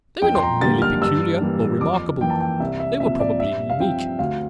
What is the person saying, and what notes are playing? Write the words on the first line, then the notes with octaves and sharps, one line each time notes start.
They were not merely peculiar or remarkable; they were probably unique.
F2 G5
C6
A#5
D3 G3 A#3 A6
F6
G2 E6
E3 G3 A#3
F2 D6
E3 A#3 G5
A5
G5
C2 E5
E5
A#2 F3 C4 E5
D5
G2 E5
F5
F3 C4 G5
D2 F5